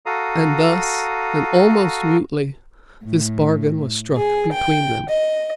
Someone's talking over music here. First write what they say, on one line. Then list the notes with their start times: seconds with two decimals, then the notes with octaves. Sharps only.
And thus, and almost mutely, this bargain was struck between them.
0.06 F#4 A4 F5 A#5 D#6
3.05 A2
4.16 G#4
4.52 G5
5.09 D#5